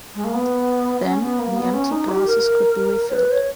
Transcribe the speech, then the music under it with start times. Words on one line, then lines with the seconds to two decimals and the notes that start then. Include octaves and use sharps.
Then, the emptied glasses could be refilled.
0.15 G#3
0.24 A#3
0.34 B3
1.03 C#4
1.21 B3
1.39 A#3
1.56 B3
1.74 C#4
1.91 D#4
2.09 G4
2.26 A#4
3.10 C#5
3.13 B4
3.31 C#5